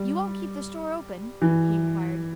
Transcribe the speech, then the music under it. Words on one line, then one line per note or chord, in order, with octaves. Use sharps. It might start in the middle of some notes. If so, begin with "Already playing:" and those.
"You won't keep the store open?" he inquired.
Already playing: G3
E3